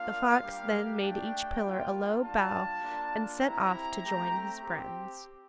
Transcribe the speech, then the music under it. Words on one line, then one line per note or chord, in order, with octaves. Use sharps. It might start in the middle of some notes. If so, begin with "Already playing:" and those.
The fox then made each pillar a low bow, and set off to join his friends.
Already playing: A#3 D4 F4 F5
G3 A#3 D4 G4
A3 D4 G4 G5
A#3 F4
G3 D4 F4 A5
A#3 D4 F4
C4 E4 G4 A#5
A3 C4 G4
C4 G4